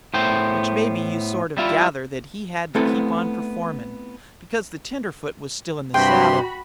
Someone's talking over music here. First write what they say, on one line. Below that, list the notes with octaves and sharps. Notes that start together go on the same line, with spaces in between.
Which maybe you sort of gather that he had to keep on performin', because the tenderfoot was still in the saddle.
A2 B3 C5 G5
G3 E4 F4
A3 B3 C4 E4 A4
G2 C3 F#4 G5 B5 C6